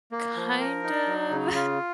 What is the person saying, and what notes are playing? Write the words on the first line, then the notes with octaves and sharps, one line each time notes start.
Kind of,
A#3
F3
A#4
D#4
F#3
C#3
F4